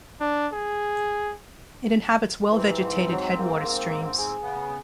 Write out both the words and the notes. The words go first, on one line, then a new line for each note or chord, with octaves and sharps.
It inhabits well vegetated headwater streams.
D4
G#4
G#2 E3 C4
F#3
A#3
G#4
C#3 B3